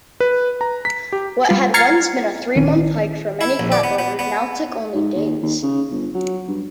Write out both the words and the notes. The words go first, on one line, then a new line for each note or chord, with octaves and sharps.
What had once been a three-month hike for many flatboaters, now took only days.
B4
A#5
B6
G4
G3 F4
A#5 F6 G#6 A6 C7 C#7
A#1 D#3 C4 C#4 C#5 D#7
E4
A#1
D5
B3
B3
B3
G#2
D#2
D#2
C#3
G1
F#3
G2